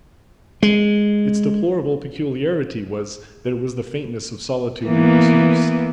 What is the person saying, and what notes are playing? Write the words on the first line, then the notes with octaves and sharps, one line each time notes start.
Its deplorable peculiarity was, that it was the faintness of solitude and disuse.
G#3
E3 A#3 B3